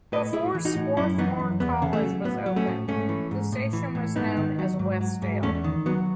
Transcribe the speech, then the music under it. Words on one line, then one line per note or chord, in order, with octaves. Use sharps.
Before Swarthmore College was opened, the station was known as Westdale.
A2 B4 D#5
A2 E4 G#4
E3
D#4 F#4
A2
F#2 C#4 E4
E3 B3 D#4
F#2
E2 B3
C#3
A3
F#3
A2 B3
F#3
A3 C#4
A2
G#2 A3 C#4
E3
G#2
A2
E3
A2
G#2 B3 D#4
D#3
F#3
G#2
F#3
G#2
E2 A3 C#4
D#3
F#3 B3